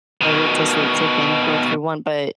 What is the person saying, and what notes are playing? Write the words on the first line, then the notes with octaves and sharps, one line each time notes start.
A rotisserie chicken go through one, but
B2 D#3